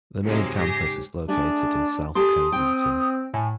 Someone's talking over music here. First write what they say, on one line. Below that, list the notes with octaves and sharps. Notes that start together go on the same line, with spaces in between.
The main campus is located in South Kensington.
G#2 C3 F3 F#3 G#3 A#3
G#2 C#3 G4 G#5 A#6 C7
A3 D4 G#4
G4 A4 G#5 C6 D#6
C4 G5
A2 G#5